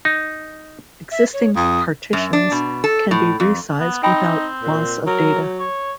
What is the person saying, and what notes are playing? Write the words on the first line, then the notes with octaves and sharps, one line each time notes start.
Existing partitions can be resized without loss of data.
D#4
E5
C#5
F2 D#6
F#2
D4
B2
A4
A2
F2
B3
C4 D#4 G5 A5 B5
A#2
F#3 A#4
C#5